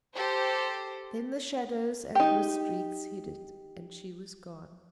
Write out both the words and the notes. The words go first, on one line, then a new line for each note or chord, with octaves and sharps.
Then the shadows and mist-wreaths hid it, and she was gone.
G4 A4 C5
D#4 G4